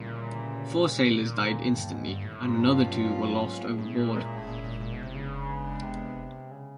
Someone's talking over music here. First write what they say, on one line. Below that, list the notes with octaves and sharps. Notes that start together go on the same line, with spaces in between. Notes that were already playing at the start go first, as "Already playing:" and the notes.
Four sailors died instantly and another two were lost overboard.
Already playing: D2 A#2 C#3 E3 G3
D#2 A#2 D3 G3
G2
G#2
G2
A2
G#2 B2 F#3 A#3 C#4 F4
G2
G#2
A2
A2 G#3 C#4 E4 G#4
A#2
A2
A#2
A#2
A#2
B2
C3
C#3 G#3 B3 D4
C3
C#3